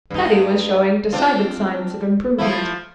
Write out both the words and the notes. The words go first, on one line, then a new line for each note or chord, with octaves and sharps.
Teddy was showing decided signs of improvement.
G2 D#4
C4 D4 F4
F3 A3 E4